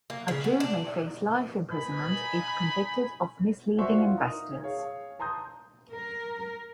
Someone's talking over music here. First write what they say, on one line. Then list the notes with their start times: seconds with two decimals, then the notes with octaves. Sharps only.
Raju may face life imprisonment if convicted of misleading investors.
0.10 A#3
0.28 C#3
0.44 B3
0.60 D4
1.71 D#4 G#5 B5
3.78 F#4 C5 D5 E5 C#6
3.98 E4 F4 F#5
4.18 D#4 A#4
4.63 G#4 C#5 F5
5.19 A5 A#5 C6 D#6 G6
5.90 A#4